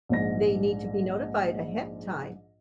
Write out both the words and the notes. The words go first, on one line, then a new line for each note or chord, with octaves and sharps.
They need to be notified ahead of time.
A#1 G#2 A#6